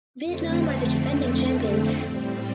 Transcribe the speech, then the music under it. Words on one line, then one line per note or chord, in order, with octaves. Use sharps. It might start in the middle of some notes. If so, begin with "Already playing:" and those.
Vietnam are the defending champions.
F2 D3 A3 C4
A2 G3 C4